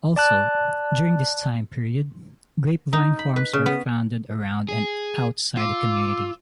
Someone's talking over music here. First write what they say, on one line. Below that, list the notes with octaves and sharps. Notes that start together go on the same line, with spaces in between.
Also during this time period, grapevine farms were founded around and outside the community.
D5 A5 F#6
D#4
B5
B4
C#3
B3
G#4
F4 F5 D6 E6